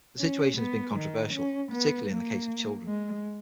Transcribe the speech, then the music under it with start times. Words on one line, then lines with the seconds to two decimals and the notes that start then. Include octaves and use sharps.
The situation has been controversial, particularly in the case of children.
0.19 C#4
0.57 B3
0.95 D#3
1.34 C#4
1.72 B3
2.10 A#3
2.87 G#3